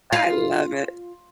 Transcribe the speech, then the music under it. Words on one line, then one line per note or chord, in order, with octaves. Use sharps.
I love it.
F4